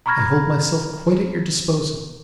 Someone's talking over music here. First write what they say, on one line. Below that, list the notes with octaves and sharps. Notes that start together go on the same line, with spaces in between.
I hold myself quite at your disposal.
A#5 B5 C#6 F6 G#6 A#6